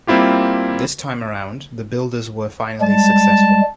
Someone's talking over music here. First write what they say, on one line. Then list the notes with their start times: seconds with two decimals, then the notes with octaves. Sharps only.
This time around, the builders were finally successful.
0.07 G3 A#3 C4 E4 F4 G4
2.81 G3 G#3 A5